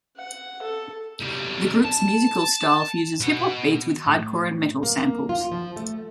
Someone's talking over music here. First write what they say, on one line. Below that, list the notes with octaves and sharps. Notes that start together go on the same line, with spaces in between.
The group's musical style fuses hip hop beats with hardcore and metal samples.
F#5
A4
B1 G3
A5
B2 F#5
A2
A#3
A#3
F4
F3
A3